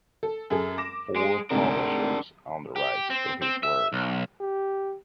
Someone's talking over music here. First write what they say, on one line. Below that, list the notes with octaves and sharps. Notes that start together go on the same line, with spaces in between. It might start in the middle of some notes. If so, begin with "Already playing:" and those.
Four publishers own the rights to his work.
A4
F#2 G#4 A4
D6 A#6 E7
G#3 D7
D2 G#2 C3 D4 A#4
G4
C4
C4
E5
B1
G4